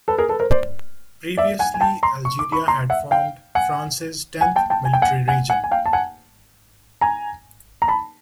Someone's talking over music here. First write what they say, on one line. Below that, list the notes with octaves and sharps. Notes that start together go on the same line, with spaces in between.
Previously Algeria had formed France's tenth military region.
A4 B4
G#4 A#4
A4 B4
A#4 C5
C5 D5
D5 E5
F#5 G#5
G#5
G5 A5
A#5 C6
C#6
D6
B5 C#6
A#5 C6
E5 F#5
F5 G5
F#5 G#5
F#5 G#5
G5 A5
G5 A5
G#5
G5
F#5 G#5
F#5 G#5
F#5 G#5
G#5
F5 G5
A5
F#5 G#5
G#5 A#5
A#5
A5 B5